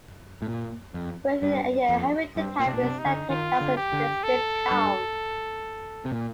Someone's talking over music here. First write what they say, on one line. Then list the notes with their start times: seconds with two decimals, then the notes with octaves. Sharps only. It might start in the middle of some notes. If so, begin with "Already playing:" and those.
Within a year Hamilton had been selected as the district town.
0.42 A2
0.48 A#2
0.94 F2
1.42 G2
1.89 F2
2.36 G2 C4
2.59 A#2
2.67 C3 D4
2.73 A#2
2.83 C3
2.98 D#4
3.06 D3
3.30 D#3 F4
3.61 D3
3.77 G4
3.93 D3
4.23 A4
4.71 G2
6.05 C3
6.12 A#2